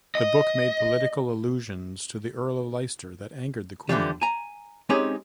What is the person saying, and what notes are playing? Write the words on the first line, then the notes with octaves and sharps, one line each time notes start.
The book made political allusions to the Earl of Leicester that angered the Queen.
D#5
D3 E3 F3 G3
G#5 A#5
G#3 C4 C#4 D#4 G4 G#4